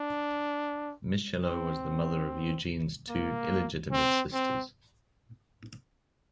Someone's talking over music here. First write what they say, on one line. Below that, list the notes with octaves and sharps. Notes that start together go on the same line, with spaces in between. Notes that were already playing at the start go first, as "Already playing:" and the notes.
Michelot was the mother of Enghien's two illegitimate sisters.
Already playing: D4
C4
A#3
C4
C4